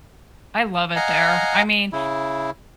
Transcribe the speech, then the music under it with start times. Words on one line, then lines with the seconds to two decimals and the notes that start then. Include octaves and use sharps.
I love it there, I mean
0.96 D#5 F5 F#5 G#5 A#5
1.93 C#3 E4